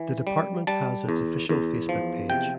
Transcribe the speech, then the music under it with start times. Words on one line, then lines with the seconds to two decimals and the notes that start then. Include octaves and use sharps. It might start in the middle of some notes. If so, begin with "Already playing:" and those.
The department has its official Facebook page.
Already playing: E3
0.27 G3
0.67 G3 A5
1.09 E2
1.49 E2
1.89 F3
2.30 C3 G5